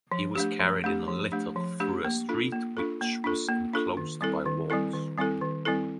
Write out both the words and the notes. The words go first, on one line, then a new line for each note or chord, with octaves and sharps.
He was carried in a litter through a street which was enclosed by walls.
F3
A3 D4 G4
F3
A3 D4 G4
F3
A3 D4 G4
F3
A3 D4 G4
A#3
D4 F4 A4
A#3
D4 F4 A4
A#3
D4 F4 A4
A#3
D4 F4 A4
D#3
G3 C4 E4 A4
D#3
G3 C4 E4 A4
D#3
G3 C4 E4 A4
D#3
G3 C4 E4 A4